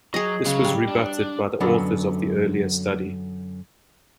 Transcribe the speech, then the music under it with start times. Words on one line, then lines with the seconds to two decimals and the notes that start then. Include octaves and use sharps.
This was rebutted by the authors of the earlier study.
0.14 F#3 G#4 D#5
0.46 C#3 F#3
0.64 G3
0.88 D4
1.61 F#2 D3 F#3 B3